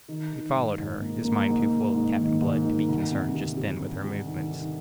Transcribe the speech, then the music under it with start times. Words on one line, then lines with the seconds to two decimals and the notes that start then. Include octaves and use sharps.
He followed her, his mind too full of Captain Blood to be concerned just then with her movements.
0.08 D#3
0.32 D#3
0.55 G#2
0.78 G#2
1.02 A#3
1.25 A#3
1.48 G#2
1.71 G#2
1.94 G#2
2.18 D#3
2.42 G#2
2.64 D#3
2.88 D2
3.11 C3
3.34 C3
3.57 G3
3.80 G3
4.04 G3
4.28 D#3
4.51 D#3